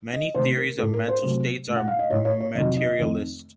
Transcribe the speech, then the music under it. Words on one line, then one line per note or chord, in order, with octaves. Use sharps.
Many theories of mental states are materialist.
D#5
C3 D#3 A3 C5
A#4
A2 A3 A4
A#4
C5
C3 F#3 A3
A#2 A3
F#5
F5
D#5
A2 A3 C#5
C#5
C#5
F2 C3 D#3 F#3 D#5
D#5
F2 D#3 A3